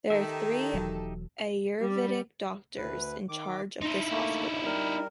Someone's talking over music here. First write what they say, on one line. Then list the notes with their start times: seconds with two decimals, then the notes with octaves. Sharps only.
There are three Ayurvedic doctors in charge of this hospital.
0.10 D#3 D#4 G4 A4 E5
0.74 E1 E2 F#3
1.82 G3
2.78 D2 B4
3.29 D#3 D6
3.82 D#4 E4 C6
4.11 A3 A#3
4.65 G3 A#4